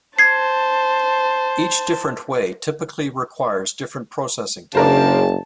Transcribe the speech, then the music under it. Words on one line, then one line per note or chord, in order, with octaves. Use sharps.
Each different way typically requires different processing time.
C5 A5 G#6 C7
F#1 C#3 D4 A#4 C5 A5